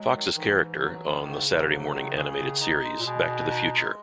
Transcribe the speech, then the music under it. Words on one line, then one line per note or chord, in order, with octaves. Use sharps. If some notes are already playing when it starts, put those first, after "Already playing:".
Fox's character, on the Saturday morning animated series, "Back to the Future".
Already playing: F#3 G#3
D#3
G#2 E3
G#2
F#3
D#3
G#2 C#3
G#2
F#3
D#3
G#4
D#3
D#4
G#3
A#2
B2 G#4
D#3
D#4
G#3